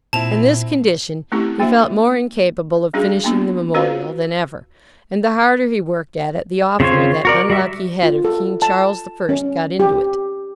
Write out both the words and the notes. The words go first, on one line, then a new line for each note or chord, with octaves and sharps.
In this condition, he felt more incapable of finishing the Memorial than ever; and the harder he worked at it, the oftener that unlucky head of King Charles the First got into it.
A#2 C4 E4 A5 F7
A3 C4 C#4 E4 G4 A4
A#3 D4 F#4 C5 E5 F#5
G3 C#4 D4 F#4 G#4
A#3 B3 C#4 D4 F4 F#4
C#4 F4 F#4 B4 C5 F5
C#3 C4 F4 C5 C#5
F#4 A#4 D5
G3 F#4 E5
F4
A4
A5
C#4
G4